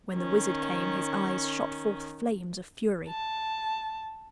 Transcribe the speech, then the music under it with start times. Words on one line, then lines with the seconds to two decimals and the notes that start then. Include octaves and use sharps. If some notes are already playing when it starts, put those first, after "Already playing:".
When the wizard came, his eyes shot forth flames of fury.
0.15 D#3 C#4
3.08 A5